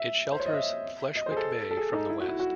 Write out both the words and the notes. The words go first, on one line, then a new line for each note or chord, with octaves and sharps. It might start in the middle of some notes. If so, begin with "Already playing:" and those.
It shelters Fleshwick Bay from the west.
Already playing: E5
C5
C#5
D#5
E5
D#5
C5
G#4
A4
A4
G#4
D#4
E4
F#4
E4
F#4